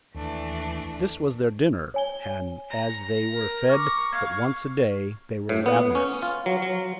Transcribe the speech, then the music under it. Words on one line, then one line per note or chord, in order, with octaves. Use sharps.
This was their dinner, and as they were fed but once a day they were ravenous.
D#2 E3 A3 D4
C#5 G#5 G7
A#5
A#4
C#6 D6 F6
F5 G#6
A2
B3
C#4
F4
F#3
F#3